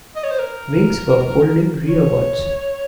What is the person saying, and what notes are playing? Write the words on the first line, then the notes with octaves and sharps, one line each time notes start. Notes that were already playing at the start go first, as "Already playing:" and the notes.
Wings were folding rearwards.
D#5
C#5
C5
A#4
C#5